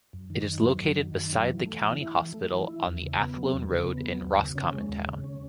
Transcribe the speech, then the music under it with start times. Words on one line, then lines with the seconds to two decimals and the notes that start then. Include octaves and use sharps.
It is located beside the county hospital on the Athlone Road in Roscommon Town.
0.13 F#2
0.30 D#3
0.47 F#2
0.64 F#3
0.81 F#2
0.98 D#3
1.15 F#2
1.32 F#3
1.49 E3
1.66 A3
1.83 E3
2.01 E4
2.17 E3
2.34 A3
2.51 E3
2.68 E4
2.85 E2
3.03 C#3
3.20 B3
3.37 F#3
3.54 E2
3.71 C#3
3.87 B3
4.04 F#3
4.22 D#2
4.39 C#3
4.55 C#4
4.73 G#3
4.89 D#2
5.07 C#3
5.24 C#4